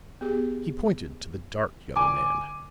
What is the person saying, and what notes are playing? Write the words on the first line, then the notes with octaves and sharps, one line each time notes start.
He pointed to the dark young man.
B3 G4 G#4
D3 D5 G#5 D6